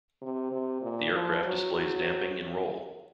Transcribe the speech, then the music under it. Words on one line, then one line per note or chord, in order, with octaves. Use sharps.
The aircraft displays damping in roll.
C3
C3
A#2
F3
F#3